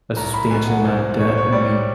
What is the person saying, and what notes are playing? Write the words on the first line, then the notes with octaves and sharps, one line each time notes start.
a substantial amount of debt, and we
C2 A#5
B5
B2 G#5
F#5
C2 C5
B2 C#5
C5
C#5
G3 D5